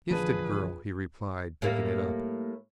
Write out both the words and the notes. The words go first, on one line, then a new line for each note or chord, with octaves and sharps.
"Gifted girl!" he replied, picking it up.
A#1 D3 E3 F3 G#4 B4 A5 D#7
A2 G3 A#3